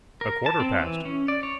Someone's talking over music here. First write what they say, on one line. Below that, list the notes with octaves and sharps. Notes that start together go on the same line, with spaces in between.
A quarter past.
A#4
A5
C4
E3
C#4
D5
C#5